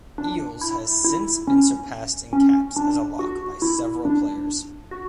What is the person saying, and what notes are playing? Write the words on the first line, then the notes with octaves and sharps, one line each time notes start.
Eales has since been surpassed in caps as a lock by several players.
D4
E4
E4
C#4
C#4
D4
F#4
E4
D4
F#4